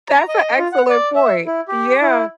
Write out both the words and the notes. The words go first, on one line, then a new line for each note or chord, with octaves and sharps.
That's an excellent point. Yeah.
A#5
D#5
F4
F#5
D5
E5
E4
G4
E4